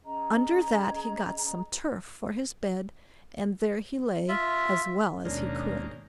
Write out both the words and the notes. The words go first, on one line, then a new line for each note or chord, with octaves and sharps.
Under that he got some turf for his bed, and there he lay as well as he could.
C#4 G#4 D#5 A#5
F4 E5
D#2 G#2 B2 A#3 C#4 D4